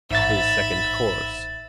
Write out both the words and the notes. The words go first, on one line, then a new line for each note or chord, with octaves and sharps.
His second course.
A1 G#2 E5 B5 A6